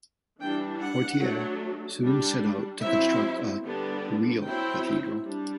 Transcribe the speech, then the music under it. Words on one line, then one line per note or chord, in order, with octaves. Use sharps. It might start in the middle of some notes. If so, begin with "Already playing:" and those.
Portier soon set out to construct a "real" cathedral.
E3 G3 D4 G5
F#5
F#3 A3 D4
G3 D4
F#3 C4 E4 E5
D3 G3 B3 D4
F#3 C4 E4 G5
G3 D4